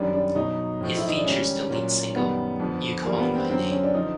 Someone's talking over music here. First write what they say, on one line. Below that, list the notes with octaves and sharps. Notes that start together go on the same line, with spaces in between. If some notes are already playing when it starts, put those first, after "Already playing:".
It features the lead single "You Calling My Name".
Already playing: F#2 D#3 G3 D4
D4
B2 F#3 D#4
A2 F3
E4
D#4
D4
G#2 D#3 G3 C#4
A#2 F#3
F#2 D#3 G3 B3
F2 D3 F3
G2 E3 G3 A#3
B3
C4
F#2 D3 F#3 C4
C#4
D4
D3 F3 D#4